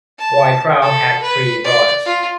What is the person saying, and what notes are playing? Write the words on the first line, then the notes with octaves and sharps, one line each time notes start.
Roy Kral had three daughters.
A5
A4
B4
D5
F4